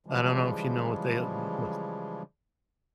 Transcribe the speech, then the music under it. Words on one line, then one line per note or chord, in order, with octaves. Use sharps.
I don't know if you know what they, uh, v v
C#3 E3 F3 G3 G#3